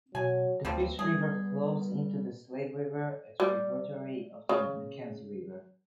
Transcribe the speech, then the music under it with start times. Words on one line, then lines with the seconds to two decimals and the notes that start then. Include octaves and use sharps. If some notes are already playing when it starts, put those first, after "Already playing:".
The Peace River flows into the Slave River, a tributary of the Mackenzie River.
0.15 B2 F#3 G#5
0.65 D2 F3 G3 B3 C4
0.99 G3 G#4
3.40 G3
4.49 C#3